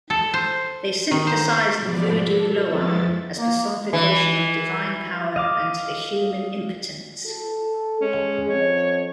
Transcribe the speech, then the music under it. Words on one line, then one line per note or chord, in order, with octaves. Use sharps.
They synthesize the vodou Loa as personification of divine power and the human impotence.
A4
C5
D#3
C5
G#2 B2 F3 B3 D5
A4
F2 F3 G#3 B3 E4 A6
A#3
E3
D#5 F5 D6
A4
G#3 C#4
F2 C#5